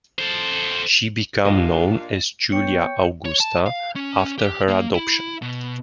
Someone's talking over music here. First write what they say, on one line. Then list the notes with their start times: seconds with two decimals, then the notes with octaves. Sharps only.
She became known as Julia Augusta after her adoption.
0.18 A4 C5
1.45 A#2 D4 G4 D#5 F5
2.52 B3 C#5 G5 C#7
3.25 C#5
3.40 A5
3.66 F5
3.96 C#4
4.38 G4
4.68 A#3
4.94 E4
5.42 B2